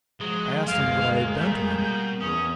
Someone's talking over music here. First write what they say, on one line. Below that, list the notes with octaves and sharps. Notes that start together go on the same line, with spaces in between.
I asked him what I had done to him.
F3 F#3 G#3
F#1 D2 A#3 F5
G3 A3 A#3 E4 G6
B2
E2 E3 C#4 D#6